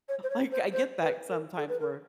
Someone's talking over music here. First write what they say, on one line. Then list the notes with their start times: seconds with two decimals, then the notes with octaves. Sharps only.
like, I get that sometimes where
0.08 C#5
0.23 C5
0.29 C#5
0.51 C5
0.72 C5
1.00 B4
1.29 A#4
1.57 A4
1.68 B4
1.79 A#4